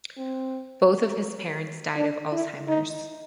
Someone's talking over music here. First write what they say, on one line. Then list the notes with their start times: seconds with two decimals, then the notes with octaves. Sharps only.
Both of his parents died of Alzheimers.
0.18 C4
1.96 D4
2.32 E4
2.68 D#4